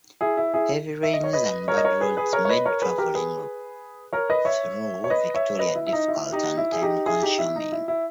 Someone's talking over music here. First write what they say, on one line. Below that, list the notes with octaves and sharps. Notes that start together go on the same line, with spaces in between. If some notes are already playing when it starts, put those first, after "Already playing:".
Heavy rains and bad roads made travelling through Victoria difficult and time-consuming.
E4 G#4
E4
E4 G#4
E5
D#5
C#5
B4 D#5
A#4 C#5
D#5
A#4 C#5
G#4 B4
G#4 B4
A#4 C#5
C#5
B4 D#5
A#4 C#5
G#4 B4
G4 A#4
G#4 B4
A#4 C#5
B4 D#5
C#5 E5
C#5
B4 D#5
C#5 E5
B4 D#5
E4
E4
D#4
E4
D#4 G4
E4
G#4
D#4 G4
E4 G#4
D#4 G4
E4
D#4
E4
E4